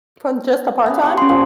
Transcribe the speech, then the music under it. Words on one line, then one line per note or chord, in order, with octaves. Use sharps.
From just a part-time? uh
B3 C#4 G#4
G4 G#4 C#6
C#4 F4 C6
A#2 F3 G#5